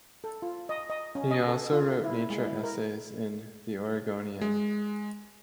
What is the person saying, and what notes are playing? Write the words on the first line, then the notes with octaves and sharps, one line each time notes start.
He also wrote nature essays in "The Oregonian".
A4
F4
D#5
D#5
C#4
D#5
A4
F4
E4
G#3
E4
A#4
G#3